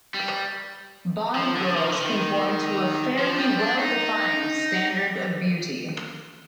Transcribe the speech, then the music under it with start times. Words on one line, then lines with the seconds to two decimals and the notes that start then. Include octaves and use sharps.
Bond girls conform to a fairly well-defined standard of beauty.
0.14 G3
1.35 F3
1.56 D3
1.77 F3
1.85 D#3
1.93 D3
2.01 D#3
3.19 F3
3.38 G3
3.59 D4
3.78 D#4